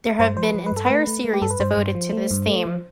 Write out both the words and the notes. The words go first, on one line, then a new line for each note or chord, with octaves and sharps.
There have been entire series devoted to this theme.
G2 C5
F3 C5
B4
F3
B4
G2 A4
A3 B4
A3
A3
G4
G2 A4
B4
G2 C5
G2
F3
A3
G2
A3
F3